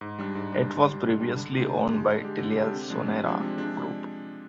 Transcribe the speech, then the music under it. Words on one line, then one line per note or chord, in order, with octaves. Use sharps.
It was previously owned by TeliaSonera group.
G#2
G3 D4
G#2
G3 D4
G#2
G3 D4
G#2
G3 D4
D3
G#3 D4 G4
D3
G#3 D4 G4
D3
G#3 D4 G4
D3
G#3 D4 G4
C3
F3 G#3 D4
C3
F3 G#3 D4
C3
F3 G#3 D4